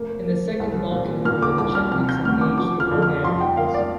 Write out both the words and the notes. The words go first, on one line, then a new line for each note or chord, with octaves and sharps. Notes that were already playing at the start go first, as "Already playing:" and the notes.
In the Second Balkan War the Chetniks engaged the Bulgarians.
Already playing: F1 A#3
A#3
C2
A#2
A#2 F6
D6
C2 D6
F6
C3 F6
G6
D2 F6
D6
F3 D6
F6
F2
F6
F2 C6
G5
A#3 F5
D5